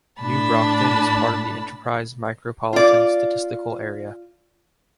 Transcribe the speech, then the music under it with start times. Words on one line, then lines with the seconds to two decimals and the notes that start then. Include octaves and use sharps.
New Brockton is part of the Enterprise Micropolitan Statistical Area.
0.21 A2 D4 A5 B5
2.73 F4 D5